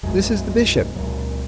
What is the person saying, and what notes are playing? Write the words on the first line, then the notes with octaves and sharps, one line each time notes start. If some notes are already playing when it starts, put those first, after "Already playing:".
This is the Bishop.
E1 B1 F#2 G#3
C#2 A#2 F#3